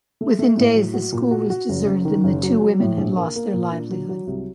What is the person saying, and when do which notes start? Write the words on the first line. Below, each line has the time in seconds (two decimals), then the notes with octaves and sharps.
Within days the school was deserted and the two women had lost their livelihood.
0.21 A3
0.39 A3
0.58 A2
0.76 F#3
0.94 F#4
1.12 A#2
1.31 F#4
1.50 F#4
1.69 F#1
1.87 F#1
2.05 D#3
2.24 F#1
2.43 F#3
2.62 F#3
2.80 A2
2.97 A#1
3.17 A#3
3.36 A#3
3.54 A#2
3.72 D4
3.91 F#3
4.09 F#3
4.27 C2